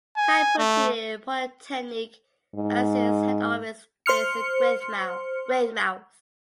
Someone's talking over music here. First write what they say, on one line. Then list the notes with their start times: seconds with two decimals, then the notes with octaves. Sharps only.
Tai Poutini Polytechnic has its head office based in Greymouth.
0.17 G#5
0.58 A3
2.55 G#2
4.06 C5 C6 F6 C#7